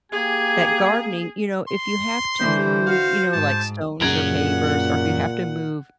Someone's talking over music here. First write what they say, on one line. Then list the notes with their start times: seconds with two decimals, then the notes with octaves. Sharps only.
that gardening, you know, if you have to move, you know, like stones or pavers or if you have to move,
0.12 A#3 G4 G#4 G#5
1.69 C6
2.39 D3 E3 C5
2.86 F#4 F5
3.33 G#2 A5
4.01 F#2 A#2 C#3 F#5 A#5 G#6 D7